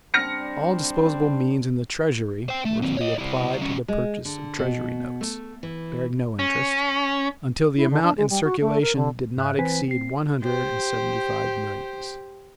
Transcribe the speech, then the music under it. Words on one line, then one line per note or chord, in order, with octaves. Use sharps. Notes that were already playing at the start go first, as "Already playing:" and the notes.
All disposable means in the Treasury were to be applied to the purchase of Treasury notes, bearing no interest, until the amount in circulation did not exceed one hundred and seventy-five millions.
G3 C4 D4 F6 A#6 C#7
C5 G5
A3
D#2 C4
C#5 D#5
C3 E4
G3 C#4
G#3
D3
B2
A3
E3
C#4
E4
D3
D4
G#3
G3
F#4
A3
A#4
D3
G#2 E5 F#6
E3 C4 B4 C5 G#5 B6
C4 C7
G4 C5